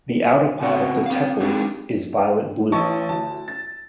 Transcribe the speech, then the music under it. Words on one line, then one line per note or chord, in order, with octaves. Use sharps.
The outer part of the tepals is violet-blue.
C#3 C4 F#4 F#5
C4 F5
G#3 C4 D4 D#4 G4 G#4
A1 D#5 A5 C#6
D2 A5
A6